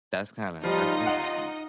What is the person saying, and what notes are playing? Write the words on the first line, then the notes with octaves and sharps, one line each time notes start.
That's kinda that's interesting.
C#2 F3 G3 D#4 F4 D#5
F#5